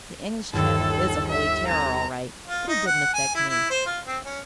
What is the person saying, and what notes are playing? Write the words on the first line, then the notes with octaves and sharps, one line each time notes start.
The English Channel is a holy terror, all right, but it didn't affect me.
G1 D#2 A4
E5
C4 G#5 A#5
F4
D#4
F#5
G#5
E4
E4
C5
F4
C4
C#4